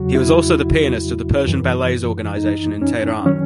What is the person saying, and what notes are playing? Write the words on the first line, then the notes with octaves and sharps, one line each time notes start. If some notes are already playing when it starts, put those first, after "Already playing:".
He was also the pianist of the Persian Ballets Organization in Tehran.
Already playing: E2 C#3 F#3 F#4
E4
F#2 E3
D#4
C#4
D#3 F#3 C#4